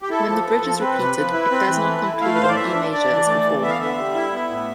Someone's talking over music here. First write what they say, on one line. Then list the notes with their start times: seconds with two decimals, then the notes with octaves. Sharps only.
When the bridge is repeated, it does not conclude on E major as before.
0.02 G4
0.10 E4 A4
0.28 F3
0.45 B3
0.63 F3
0.80 C4 B4
0.98 C3
1.16 F3
1.33 E4
1.51 C4
1.68 E3
1.86 A3
2.03 E4
2.21 A3 F5
2.35 B4
2.38 A2 C5
2.49 D5
2.56 E3 E5
2.75 D4
2.91 D4 D5
3.10 E3
3.26 A3
3.44 E3
3.61 B3 E5
3.70 F5
3.79 D3 E5
3.98 G3
4.15 E4
4.32 B3
4.50 A2